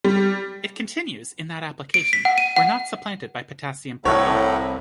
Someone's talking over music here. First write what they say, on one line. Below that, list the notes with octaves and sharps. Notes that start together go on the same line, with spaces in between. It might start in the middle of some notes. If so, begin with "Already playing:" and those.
It continues in that application, where not supplanted by potassium perchlorate.
G3
D7
B6
F#5
D#7
F#5
C2 A2 A4 C#5 F#5 A#5